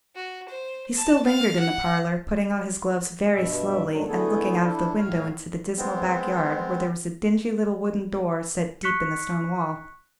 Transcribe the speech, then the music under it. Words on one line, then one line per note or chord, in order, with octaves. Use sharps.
He still lingered in the parlour, putting on his gloves very slowly, and looking out of the window into the dismal backyard, where there was a dingy little wooden door set deep in the stone wall.
F#4
C5
A5
F5
F#5
G2 B2 E5
G#2 D3 D#3 F#3
D3 E3 A3 B3 G#4 A4
D4 E4 A4
A2 C#5 F5
G#3 B3 C4
C#6 F#6 B6 C#7